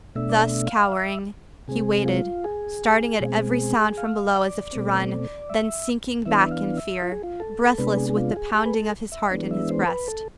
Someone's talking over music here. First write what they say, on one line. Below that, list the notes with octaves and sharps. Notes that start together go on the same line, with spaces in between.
Thus cowering, he waited, starting at every sound from below as if to run, then sinking back in fear, breathless with the pounding of his heart in his breast.
B2 A3 D4 E5
D5
E5
F5
E5
C3 G#3 C4 G#4
F4
G#4
B2 G#3 C4
F5
D5
B2 A3 C4
E5
E3 B3 D4 E5
F5
E5
F4
G#4
F4
A4
C3 G#3 B3 D4 B4
G#4
G#4
F4
G#4
G#4
B4
A4
E5
E3 G#3 B3 D4
E5
C5
B4
A4